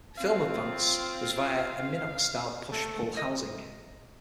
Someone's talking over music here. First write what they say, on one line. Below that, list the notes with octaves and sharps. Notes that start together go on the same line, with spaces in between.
Film advance was via a Minox-style push-pull housing.
C4 F4 F5
A3
D#5